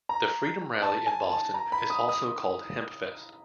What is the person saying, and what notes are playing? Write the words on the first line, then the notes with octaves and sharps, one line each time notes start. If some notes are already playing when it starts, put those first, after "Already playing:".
The Freedom Rally in Boston is also called Hempfest.
A#5
A5
G#5
A5
A#5
B5
D#6
D#6